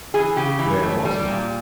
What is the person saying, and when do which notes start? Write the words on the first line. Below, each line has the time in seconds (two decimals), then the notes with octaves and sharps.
Where was he?
0.14 E3 G#4
0.36 C#3 G4
0.59 E3
0.82 A3
1.05 G3
1.28 A#2